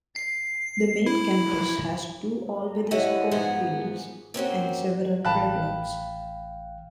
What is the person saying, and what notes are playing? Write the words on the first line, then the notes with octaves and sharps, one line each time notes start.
The main campus has two all-weather sports fields and several playgrounds.
C7
E4
D3 G3 E4 C#5 D#5 F#5
E2 G#2 F3 B3 G#4 F#5
A#3 C4 C#4 F#4
A1 F5 G5 A5 B5 F#6